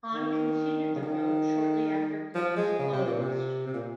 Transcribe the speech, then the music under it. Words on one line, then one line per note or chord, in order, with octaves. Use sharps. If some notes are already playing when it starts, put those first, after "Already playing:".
Han conceded the vote shortly after polls closed.
D#3
C#3
D#3
F3
G#3
C#3
C3
A#2
C3
C3
A#2